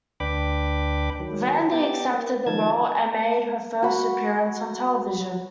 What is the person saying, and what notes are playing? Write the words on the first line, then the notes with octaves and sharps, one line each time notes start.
Vandi accepted the role and made her first appearance on television.
D2 D4 B4 G5 B5 D6
D#3 F#3
B3 G4 G5 A6
A#3
D#3 F3 D#4 A5 G#6
F#4 B5